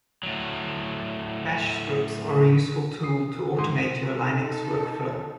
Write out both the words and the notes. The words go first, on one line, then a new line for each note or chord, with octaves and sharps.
Bash scripts are a useful tool to automate your Linux workflow.
A2 F#3
D#6 C7
G#2 C6 D#6
D#4 A4